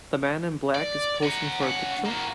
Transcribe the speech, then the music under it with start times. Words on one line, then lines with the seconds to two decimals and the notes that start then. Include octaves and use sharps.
The man in black is posing for a picture.
0.75 D5
1.23 A#4 F#5
1.62 C#3 F#5
2.05 A#3 F#4